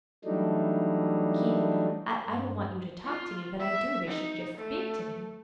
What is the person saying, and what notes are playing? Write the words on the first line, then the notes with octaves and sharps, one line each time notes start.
"Keith, I don't want you to talk to me, but I do wish you'd just SPEAK to me."
E3 F#3 G3 A3 D4 D#4
G2
F4
E5
D#4
A3